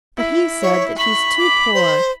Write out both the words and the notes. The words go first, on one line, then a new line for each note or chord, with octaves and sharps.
But he said that he is too poor.
E4
C#5
B5 C#6
D6
C5